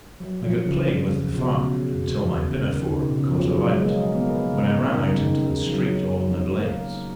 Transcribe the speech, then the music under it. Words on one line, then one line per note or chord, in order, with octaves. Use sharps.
I got playing with the fire until my pinafore caught alight, when I ran out into the street all in a blaze.
F#3
F3
C#3
C#3
B2
C#3
C#3
D#3
C#3
B2
C#3
F3
F#3
F#3
G#3
A#3
A#3
B3
A#3
C#3
D#3
C#3
D#3
C#3
D#3
C#3
D#3
F#3
A#3